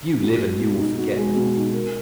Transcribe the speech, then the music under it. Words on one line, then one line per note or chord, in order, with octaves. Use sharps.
You live and you will forget me.
F#4
G#3
B2
D#4
F#4
G#3
B2
D#4
A#4